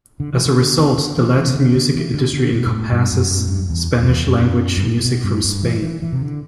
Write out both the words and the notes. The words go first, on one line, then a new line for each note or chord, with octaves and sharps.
As a result, the Latin music industry encompasses Spanish-language music from Spain.
D3
E3
D3
D3
D3
E3
E3
C3
D3
D3
E3
D3
D3
B2
G2
A2
G2
F#2
A2
G2
F#2
E2
F#2
E2
F#2
G2
A2
B2
G2
G2
E3
E3
E3
C3
D3